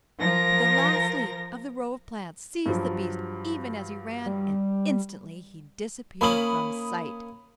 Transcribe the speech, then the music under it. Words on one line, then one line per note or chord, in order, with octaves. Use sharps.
But the last leaf of the row of plants seized the beast even as he ran and instantly he disappeared from sight.
F3 A#4 A#6
G2 F3 F#3
G3
A#3 C#4 B5 D#6 F#7